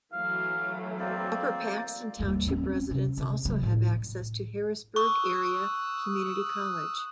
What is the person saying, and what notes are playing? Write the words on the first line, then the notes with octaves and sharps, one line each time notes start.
Upper Paxton Township residents also have access to Harrisburg Area Community College.
E3 F#3 A3 F5
A#3 C4 D5
D#2 G3
C4 C#4
C3
C3
F#3 B3
A2
C#6 D#6 E6 F#6